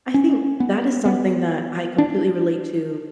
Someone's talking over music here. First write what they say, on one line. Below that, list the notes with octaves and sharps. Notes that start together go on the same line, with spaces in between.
I think that is something that I completely relate to,
C#4
B3
B3
D4